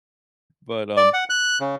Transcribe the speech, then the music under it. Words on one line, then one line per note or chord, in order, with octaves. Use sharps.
but, um,
D5
F#5
F#6
C#3